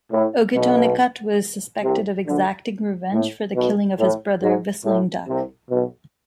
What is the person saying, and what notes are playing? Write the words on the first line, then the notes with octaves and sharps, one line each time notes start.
Ogetonicut was suspected of exacting revenge for the killing of his brother, Whistling Duck.
A2
B1 B2
C2 C3
D2 D3
A2
B1 B2
A2
G#2
A2
C2 C3
B1 B2